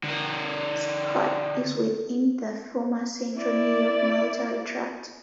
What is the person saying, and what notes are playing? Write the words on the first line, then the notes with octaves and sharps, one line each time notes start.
Scott is within the former Central New York Military Tract.
D3 A#4
E4 D5